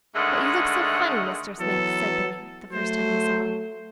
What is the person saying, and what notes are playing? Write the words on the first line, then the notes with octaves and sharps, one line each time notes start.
"But you look so funny, Mr. Smith," said Benny, the first time he saw him.
G#2 D3 D#3 G#3 A3 F#5
E3 F#3 B3 A4
F#3 A3 C5